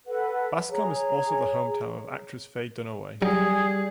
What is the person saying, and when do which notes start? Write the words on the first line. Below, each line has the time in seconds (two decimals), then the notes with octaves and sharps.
Bascom is also the hometown of actress Faye Dunaway.
0.07 A4 B4 F#5
0.70 G#4 C#5 A#5
3.22 F#3 G3 G#4